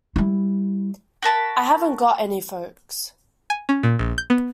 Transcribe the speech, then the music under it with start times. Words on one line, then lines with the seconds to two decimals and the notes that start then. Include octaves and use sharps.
I haven't got any folks.
0.16 G3 E4
1.22 F#4 A#4 A5 B5
3.50 G#5
3.69 C#4
3.83 A#2
3.99 A#1
4.18 G6
4.30 B3